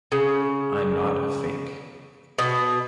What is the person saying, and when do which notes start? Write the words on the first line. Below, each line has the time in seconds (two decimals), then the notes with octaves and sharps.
I'm not a fake.
0.12 C#3
2.38 B2